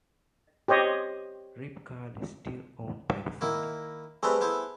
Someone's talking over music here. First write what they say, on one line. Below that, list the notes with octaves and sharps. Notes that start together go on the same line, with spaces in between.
Rip Curl is still owned by the founders.
G4 C5 C#5 D#5
D#3 A#3 E4
G3 A3 C4 G#4 A4 B4
B3 E4 C5